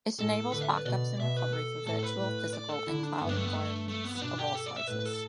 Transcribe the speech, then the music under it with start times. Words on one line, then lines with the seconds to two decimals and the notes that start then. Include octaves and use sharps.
It enables backups and recovery for virtual, physical and cloud environments of all sizes.
0.18 A2 A4
0.52 D3 B4
0.61 E5
0.70 D5
0.77 B4
0.85 B2 D5
1.19 B2 E5
1.37 B4
1.53 A4
1.86 A2 A4
1.99 A4
2.03 B4
2.19 A2
2.53 D5
2.70 A4
2.87 D3 E4
3.03 D4
3.20 G2 B3
3.29 D4
3.37 A3
3.45 B3
3.54 A3
3.88 A3
4.04 B3
4.15 B3
4.21 B2 D4
4.38 G4
4.55 A4
4.66 D5
4.76 E5
4.87 A2 B4
5.05 A4